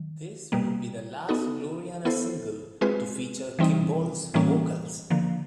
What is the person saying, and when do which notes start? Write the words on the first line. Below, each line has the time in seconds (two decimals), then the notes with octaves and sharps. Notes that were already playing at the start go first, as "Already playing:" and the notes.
This would be the last Gloriana single to feature Kimball's vocals.
Already playing: D#3 F#3
0.52 B2 G3 A#3
1.29 B3 D#4 F#4 A4
2.05 B3 E4 A4 C5
2.81 G#3 C4 F4 G#4 B4
3.59 E3 G3 C4 D#4
4.34 A2 E3 G3 A#3 C#4
5.10 D3 F3 A#3